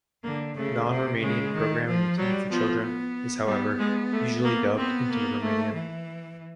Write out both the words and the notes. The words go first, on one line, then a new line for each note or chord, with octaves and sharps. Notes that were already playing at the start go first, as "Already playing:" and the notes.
Non-Romanian programming intended for children, is however, usually dubbed into Romanian.
D3 A#3
C#3 A3
C3
C#3 G#3
D#3
F3
F#3 G3
F3 B3
B3
G3 B3
G#3
A3
A#3
B3 C4
A#3
A3
E3